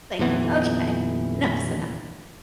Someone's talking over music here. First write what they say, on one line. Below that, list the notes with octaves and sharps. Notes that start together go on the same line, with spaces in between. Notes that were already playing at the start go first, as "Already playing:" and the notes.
like, okay, enough's enough.
D#1 F2 E3 B3